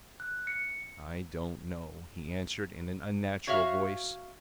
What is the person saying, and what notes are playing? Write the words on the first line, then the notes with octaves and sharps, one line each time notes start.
"I don't know," he answered in an unnatural voice.
F#6
C#7
F#4 C#5 E5 F5